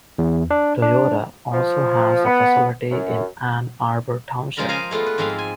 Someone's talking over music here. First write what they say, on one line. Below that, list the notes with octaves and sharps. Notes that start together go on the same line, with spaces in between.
Toyota also has a facility in Ann Arbor Township.
E2
D4
D4
F3
B3
F#2
C#3 F3 G#3 F4 A#4 B5
A#4 C5 D#5 F5 G#5 A#5
G#3 A3 B3 F4
B4
G#2 F3 G#3 C4 E5 F5
G#5